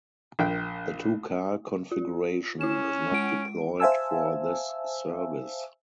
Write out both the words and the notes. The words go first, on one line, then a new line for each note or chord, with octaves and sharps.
The two-car configuration is not deployed for this service.
A#1 G5
F4
C#4 E4 E7
G#3 D7
C5 E5 F5 G#5 A5 E6